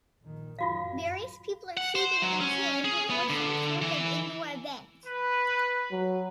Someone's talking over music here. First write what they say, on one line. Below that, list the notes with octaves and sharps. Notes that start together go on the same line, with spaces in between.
Various people are seated in chairs before some sort of indoor event.
A#1 D#3
A1 F#2 F4 F#4 F5
F#5
C5
F#3
C#4
G#4
B3
D3
E3
B4
F#3